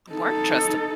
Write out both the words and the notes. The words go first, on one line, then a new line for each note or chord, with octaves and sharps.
weren't trusta
D#4 A4